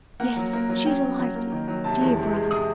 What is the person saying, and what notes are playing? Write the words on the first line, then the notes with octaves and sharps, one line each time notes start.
'Yes, she is alive, dear, dear brother!
A#3 F#5
F#3
A#3
F#3
C#4 G5
F#3
F#3
A#3
D#3
F#3
C3 A5
E2
C3
G#3
C3 D#6